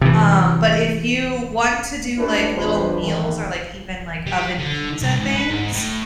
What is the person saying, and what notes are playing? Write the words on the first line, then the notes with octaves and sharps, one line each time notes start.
Um, but if you want to do, like, little meals or, like, even, like, oven pizza things,
C3 E3
A3 C#4 D4 E4 G4 B4
E2 G#3 D4 F4 B4 C5
E2 G#2 D#3 E3
G3
D3
C2
G#2
B4
G#2
A2